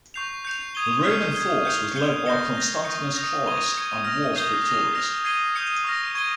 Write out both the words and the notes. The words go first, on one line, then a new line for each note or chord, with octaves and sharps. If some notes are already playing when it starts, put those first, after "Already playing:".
The Roman force was led by Constantius Chlorus, and was victorious.
C#6 G6 C7 F7
G6 C#7 F7
D#6 G#6 D#7 G7
F6 C7 F7
G#6 C7 G7
G6 C#7 F7
G6 C#7 G7
G6 A#6 C#7 G7
G6 A#6 F7
C#6 G6 A#6 C#7
D#6 G6 A#6 F7
D#6 G#6 D#7 G7
C#6 G#6 C#7
F6 A#6 F7
D#6 G6 C7 G7
D#6 A#6 F7
F6 A#6 F7
G#6 C7 D#7 G7
D#6 G6 C#7 F7
C#6 F6 A#6
C#6 G#6 D#7 G7